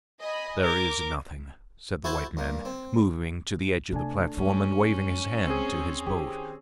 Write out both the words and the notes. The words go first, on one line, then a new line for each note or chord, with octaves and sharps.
"There is nothing," said the white man, moving to the edge of the platform and waving his hand to his boat.
D#5 G#5 B5
A#4 D6
E4 F#4 A4 C5 G#5 A5
G2 A#3
C4
C3 A3 D4 G#5
F#3 G#3 C#4
C4 G#4
D#3 E4 G4